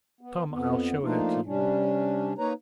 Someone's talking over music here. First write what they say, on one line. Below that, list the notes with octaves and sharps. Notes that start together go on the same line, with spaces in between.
Come, I'll show her to you.
B3
F2 B3
F3 A3 A#3 D4 D#4 F4
C3 G3 C#4 D4
A#3 D#4 B4 C#5 A#5